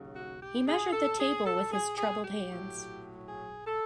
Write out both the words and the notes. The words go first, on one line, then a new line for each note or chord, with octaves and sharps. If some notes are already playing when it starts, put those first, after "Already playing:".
He measured the table with his troubled hands.
Already playing: D#2 C#3 F#3
F#4
G4
G#4
A4
G#4
A4
G#4
G#4
G4
A2 F#3
G#4
A4